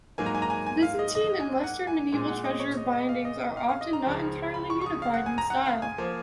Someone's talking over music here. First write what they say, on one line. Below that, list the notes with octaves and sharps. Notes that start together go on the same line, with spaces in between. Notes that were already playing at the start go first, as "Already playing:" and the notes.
Byzantine and Western medieval treasure bindings are often not entirely unified in style.
G#2 F#3 A#3 G#5
A#5
G#5
A#5
G#5
G#5
F5
D#5
D#5
G#5
F#5
G#5
A#2 G#3 G#5
F#5
D#5
C#5
D#5
D#5
F5
D#5
D#5
F5
F5
D#5
A#5
C#2 C#3 F3
B5
C#6
C#6
D#6
F5
F#5
G#5
A#5
F#5
F5
G#5
F3 A#3